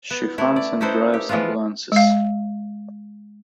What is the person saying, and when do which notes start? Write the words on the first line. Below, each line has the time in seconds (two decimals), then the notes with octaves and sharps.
She funds and drives ambulances.
0.10 B3
0.38 A3 B3 E4
0.56 D5
0.80 C#4 D#4 E4 A4 B4 C5
1.14 G4
1.29 E3 F3 G#3 B3 F4
1.92 G#3 F5